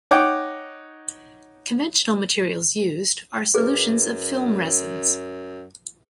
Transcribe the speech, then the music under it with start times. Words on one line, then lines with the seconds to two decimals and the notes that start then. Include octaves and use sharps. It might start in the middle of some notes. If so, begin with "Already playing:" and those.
Conventional materials used are solutions of film resins.
0.11 D#4 C#5 F#5 G5 D6
3.54 F#2 G#4 B4